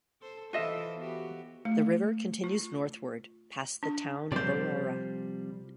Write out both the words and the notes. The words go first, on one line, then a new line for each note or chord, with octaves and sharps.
The river continues northward past the town of Aurora.
A4 C5
E3 F4 A4 C5 D#5 E5
B3 F#4 G4
A3
F4
D4
C3 F3 G3 C5 D5